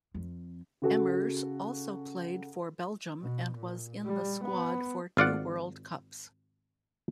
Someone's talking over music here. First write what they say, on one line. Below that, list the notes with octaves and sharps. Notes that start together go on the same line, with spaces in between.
Emmers also played for Belgium and was in the squad for two World Cups.
F2
C#3 F#4 A4
B2
A#2
G3
B3
G#1 F4 D5 F#5